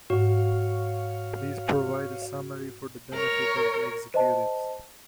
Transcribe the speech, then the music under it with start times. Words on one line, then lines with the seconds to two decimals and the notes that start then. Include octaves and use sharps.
Please provide a summary for the benefit of the executives.
0.10 G#2 F#4 C#5 F5
3.13 A#4 C#5
4.14 C5 D#5 A5